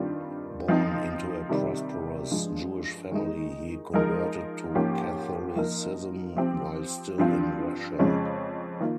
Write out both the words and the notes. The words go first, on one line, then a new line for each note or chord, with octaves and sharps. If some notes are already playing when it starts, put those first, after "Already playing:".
Born into a prosperous Jewish family, he converted to Catholicism while still in Russia.
Already playing: G2 D#3 G3 C4 F4
F3 C4 D#4
C3 D#3 G3
G2 F3 G#3
D#3 G#3 D#4
F3 G#3 D#4 A#4
G#2 F3 A#3 C#4 G4
F3 A#3 D#4 A#4
F3 C4 G4 C5
G2 F3 C4 F4
F2 C#3 F3 G#3 C#4
D#3 A#3 F4